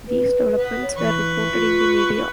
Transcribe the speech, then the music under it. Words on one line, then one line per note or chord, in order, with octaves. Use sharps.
These developments were reported in the media.
B4
B3
C#5
E3 B4 C#6
F4